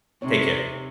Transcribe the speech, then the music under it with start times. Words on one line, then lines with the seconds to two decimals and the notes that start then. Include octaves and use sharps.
Take care.
0.22 C3 C4 D#4 C#5